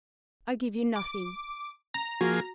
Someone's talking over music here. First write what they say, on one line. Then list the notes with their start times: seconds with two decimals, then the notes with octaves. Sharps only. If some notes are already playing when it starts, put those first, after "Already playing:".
I give you nothing.
0.96 D6
1.94 A#5 A#6
2.21 F3 A#3 F#4 G#4